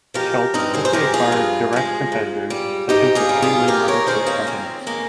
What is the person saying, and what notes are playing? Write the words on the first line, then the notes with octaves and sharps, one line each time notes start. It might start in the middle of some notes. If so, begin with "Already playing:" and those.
Schultz quickly acquired direct competitors such as the Speedway Motor Coach Company.
F3 G#3 G4 A#4
G2 C4 D#4
G#4 C5
C5
F3 G#3 G4 A#4
F4 G#4
G2
F3 G#3
G#2
G3
G#2 D#4 G4
F4 G#4
G3
F4 G#4
F2 G4 A#4
A#4 C#5
D#3 G#3 G#4 C5
A#3 C#4
F2 C4
D#3 G#3 A#3